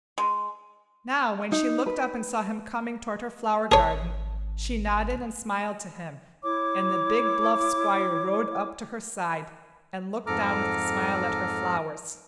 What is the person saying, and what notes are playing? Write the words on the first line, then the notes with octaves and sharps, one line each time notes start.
Now, when she looked up and saw him coming toward her flower-garden, she nodded and smiled to him, and the big bluff Squire rode up to her side, and looked down with a smile at her flowers.
G#3
D#4
B4
G#1 G#4 C#5 A5
E4 C#5 D6
F2 G#2 A4 A#5 D6 F6